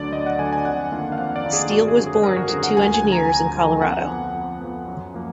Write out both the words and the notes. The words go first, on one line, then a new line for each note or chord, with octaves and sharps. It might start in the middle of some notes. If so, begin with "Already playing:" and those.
Steele was born to two engineers in Colorado.
Already playing: D2 D3 F#3 D4 D5
D2 D#5
F#5
D3 F#3 D4 G#5
G#5
F2 F#5
D#3 A#3 D4 F4
F5
F2 F#5
D5
D#3 A#3 D4 F4
G#4
G#1 F#4
G#4
F#2 D3
G#4
G#1 A#4
F#4
F#2 D3 G#4
F#5
D2 G#5
G#5
D3 F3
A#5
D2 G#5
D3 F3
F2 F#5
F3 B3
F2
F3 B3
F#2
F3 A#3